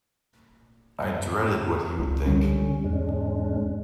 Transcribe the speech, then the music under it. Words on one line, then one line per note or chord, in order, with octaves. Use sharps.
I dreaded what he would think.
C#2
D3 G3 C#4
E2 G#2 G#3 C#4 D4